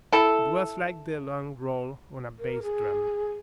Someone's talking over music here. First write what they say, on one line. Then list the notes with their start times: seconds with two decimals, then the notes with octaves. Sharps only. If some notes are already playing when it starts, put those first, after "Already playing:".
It was like the long roll on a bass drum.
0.12 E4 A4
2.37 A#4
2.62 G#4